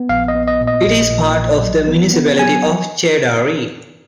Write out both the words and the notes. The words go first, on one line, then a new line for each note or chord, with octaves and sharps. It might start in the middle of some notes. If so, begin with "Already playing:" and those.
It is part of the municipality of Chaidari.
Already playing: B3
A#1 F5
D#5
B3
D#5
A#2
D#5
A#1
A#2
A#1
F#3
B3
B3
F#3 G#5